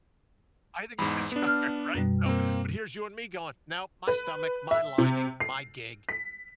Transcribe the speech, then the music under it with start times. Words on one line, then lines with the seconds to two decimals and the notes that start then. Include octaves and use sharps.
I think it is trillion, right? So but here's you and me going, "No, my stomach, my lining, my gig,
0.99 E2 G#2 B5
1.32 B3 D4
1.47 F6
1.95 F#2 B2 G3
2.26 A#3 C4
4.08 B4
4.71 E5
4.98 C3
5.40 C7
6.09 B6